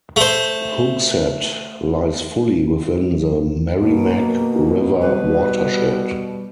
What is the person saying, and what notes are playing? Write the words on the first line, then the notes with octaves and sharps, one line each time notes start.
Hooksett lies fully within the Merrimack River watershed.
A3 C5
B2 A#3
G3 B4